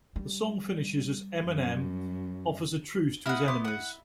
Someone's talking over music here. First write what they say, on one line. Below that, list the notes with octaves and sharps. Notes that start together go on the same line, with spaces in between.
The song finishes as Eminem offers a truce to his enemies.
G3
F#2
E4 D#5 F5 F#5 D#6
B3 C6 D6
F#4 F#5